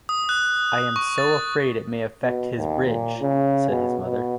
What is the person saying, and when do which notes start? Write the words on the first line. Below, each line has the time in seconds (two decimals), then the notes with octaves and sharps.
"I am so afraid it may affect his bridge," said his mother.
0.09 D#6
0.29 F#6
0.96 C#6
1.18 A6
2.23 B2
2.57 D#2
2.86 A#2
3.21 C#3
3.69 B2
4.05 B2